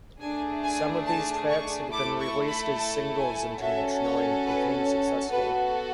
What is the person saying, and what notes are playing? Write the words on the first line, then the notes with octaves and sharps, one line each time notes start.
Some of these tracks had been released as singles internationally and became successful.
A3 D4 G#4 G#5
G#5
A5
C#6
A3 E4 A4 D6
C#6
B5
A5
G#5
C#4 F#4 A4 E5
C#5
B4
B3 F#4 A4 B4